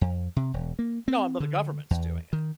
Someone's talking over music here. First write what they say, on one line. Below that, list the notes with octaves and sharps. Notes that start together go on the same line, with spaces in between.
No, but the government's doing it.
F2
C3
E1
A#3
C4
D3
E2
D#3